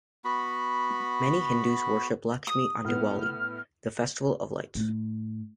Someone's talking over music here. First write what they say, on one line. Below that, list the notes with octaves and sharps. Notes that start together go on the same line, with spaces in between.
Many Hindus worship Lakshmi on Diwali, the festival of lights.
B3 F#4 B5
D#6
A2 B3 F6
A2